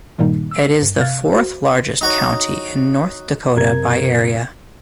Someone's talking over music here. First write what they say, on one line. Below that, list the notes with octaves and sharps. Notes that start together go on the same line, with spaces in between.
It is the fourth-largest county in North Dakota by area.
G2 A#2 D#3 G3 A#3 D#4
E6 D7
G2
C3 F5 F6 F#6 G#6 A6
F#4 C5
D#4 F#4 C#5
F#2 C3 A#4 G#6